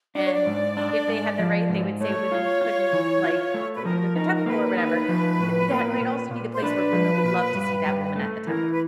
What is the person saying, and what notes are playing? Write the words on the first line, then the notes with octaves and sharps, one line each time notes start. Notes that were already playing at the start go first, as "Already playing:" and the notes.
and if they had the right, they would say women couldn't like, go to the temple or whatever. Th that might also be the place where women would love to see that woman at the temple.
D4 D5
C#5
D5
G#2
D4
G#2
F3
G#2
A3 C#5
F4
F4
E3
F4
A3
B4
F3 A#4
D#4 A#4
A#4
A#3 B4
D#4
F3
A2
A#3
A#2
A#2
C5
D4 B4
F3
A#2
G2
G2
A3
E3 A#4
B4